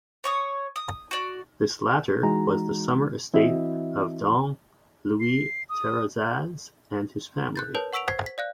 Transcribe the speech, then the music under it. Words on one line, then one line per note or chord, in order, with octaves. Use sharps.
This latter was the summer estate of Don Luis Terrazas and his family.
C#5 C#6 D#6
D#6
F#4 D5
E3 G#3 D#4 F#4 A#5
E3 C4 E4 F#4 D#5 E5
C7
D#6
F#6 G6 A6
A#4 B4 C#5 A5 G6
F#5 C#6 E6 B6 D7 F7
C5 G#6 B6 C7
B6
D5 F5 F#6